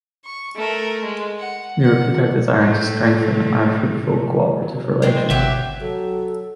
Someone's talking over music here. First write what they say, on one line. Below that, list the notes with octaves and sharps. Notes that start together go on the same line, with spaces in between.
We repeat our desire to strengthen our fruitful cooperative relations.
C#6
A3 A#4
G#3
F#5
F#5
A2 A3
F#3
G#3 C4 E4
G#1 F#3 G4 E5
F#3 A4